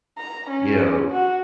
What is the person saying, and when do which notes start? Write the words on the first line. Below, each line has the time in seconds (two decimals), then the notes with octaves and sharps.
you know,
0.18 A#5
0.50 C#4
1.11 F#4